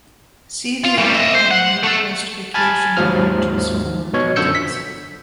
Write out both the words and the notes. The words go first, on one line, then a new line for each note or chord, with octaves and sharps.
See the article on Northwest Caucasian languages for details.
F4
E3 G3
D#5 E5
C5
F#5
A3 A4
G#5 A5 B5 F6 G#6 A6
D#2 G#2 F3 F#3 F6
B2 C#5
F#2 D3 F3 E6 G6 C#7
B6